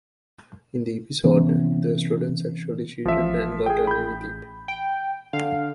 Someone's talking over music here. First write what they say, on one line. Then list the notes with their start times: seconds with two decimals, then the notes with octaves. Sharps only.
In the episode, the students actually cheated and got away with it.
1.24 C3 E3 B3 C#4
3.05 A1 F3 E5
3.66 G#4 G5
3.87 B5 G6
4.68 G5
5.33 D3 F5